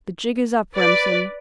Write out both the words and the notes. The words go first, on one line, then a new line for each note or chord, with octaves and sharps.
The jig is up, Remsen.
B4 D5